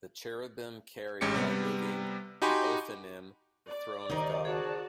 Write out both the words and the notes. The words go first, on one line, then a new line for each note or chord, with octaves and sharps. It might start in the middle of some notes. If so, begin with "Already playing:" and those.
The cherubim carry, by moving the Ophanim, the throne of God.
A1 G#3 C#4 G4 C#7
C3 G3 B3
D#4 F#4 G4 G#5 B5 C6
D5
C#2 D#3 D#4 G4 A#4 C5 D#5
F#4 G#4 C5 D5 A5